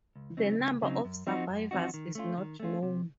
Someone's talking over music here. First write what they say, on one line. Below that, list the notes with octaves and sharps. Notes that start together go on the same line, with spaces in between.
The number of survivors is not known.
C#2
C#3 F#3 C4 D#4
C#2
C#3 F#3 C4 D#4
F#2
F3 C4 D#4 F#4
F#2
F3 C4 D#4 F#4
D#3
A3 C#4 F4
D#3
A3 C#4 F4
C3